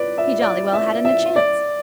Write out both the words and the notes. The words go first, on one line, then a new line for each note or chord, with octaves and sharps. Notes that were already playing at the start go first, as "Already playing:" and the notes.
He jolly well hadn't a chance.
Already playing: B4 D5
E5
D5
E5
E5
D5